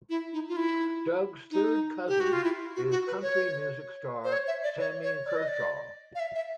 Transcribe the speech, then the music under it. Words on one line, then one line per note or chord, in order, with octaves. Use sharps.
Doug's third cousin is country music star Sammy Kershaw.
E4
D#4
F4
E4
D#4
G4
F#4
F4
E4
F#4
F#4
B4
C#5
C5
C#5
E5
D5
C#5
C#5
D5
D#5
D5
F5
E5
E5